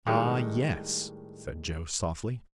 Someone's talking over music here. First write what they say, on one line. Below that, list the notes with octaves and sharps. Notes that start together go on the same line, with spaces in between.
"Ah, yes," said Joe, softly.
A2 D#3 G3 G#3